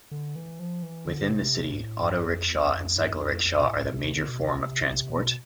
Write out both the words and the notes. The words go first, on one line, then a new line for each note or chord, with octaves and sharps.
Within the city, auto-rickshaw and cycle rickshaw are the major form of transport.
D3
E3
F3
E3
D3
C3
G2
A2
G2
F2
E2
E2
F2
G2
E2
F2
F2
B2
A2
C3
D3
B2
C3
B2